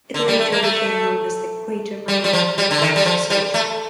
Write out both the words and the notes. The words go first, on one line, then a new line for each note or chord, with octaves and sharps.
It later became known as the Greater Miami Opera Association.
D3
G3
A3
A#3
A3
G3
G3
F3
G3
D3
D#3
G3
F3
G3
A3